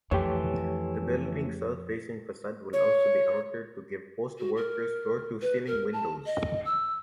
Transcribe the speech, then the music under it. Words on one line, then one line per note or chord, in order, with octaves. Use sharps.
The building's south-facing facade will also be altered to give "Post" workers floor-to-ceiling windows.
F2 E3 A3 G4 C#5 C6
C#5
F#4
A#4
B4
A#4
A5
D#5
E6